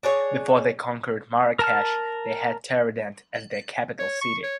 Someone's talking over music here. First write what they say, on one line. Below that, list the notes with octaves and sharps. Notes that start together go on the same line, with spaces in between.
Before they conquered Marrakech, they had Taroudannt as their capital city.
D4 G#4 C#5
A#4 A5 F6
C#5
C#6
C#5